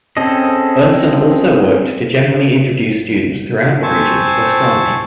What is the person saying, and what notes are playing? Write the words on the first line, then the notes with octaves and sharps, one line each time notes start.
Bernson also worked to generally introduce students throughout the region to astronomy.
C4 C#4 G#4 A4 D#5
C4 C5 G#5 A5 C#6